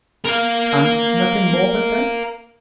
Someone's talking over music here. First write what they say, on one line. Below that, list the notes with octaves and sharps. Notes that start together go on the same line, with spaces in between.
"And nothing more but them?"
A#4 F5